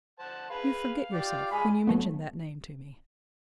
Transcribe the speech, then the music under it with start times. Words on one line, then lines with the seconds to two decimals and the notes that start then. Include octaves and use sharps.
"You forget yourself when you mention that name to me."
0.19 C5 F#5 A5
0.50 G#4 B4 F5 B5
1.13 F4 G4 D5
1.51 G#3 F4 G#5 B5
1.87 F#3 A3 B3